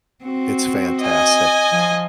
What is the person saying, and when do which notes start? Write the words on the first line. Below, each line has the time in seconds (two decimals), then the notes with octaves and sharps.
It's fantastic.
0.24 C4 F#4
1.02 D#5 G#5
1.72 F3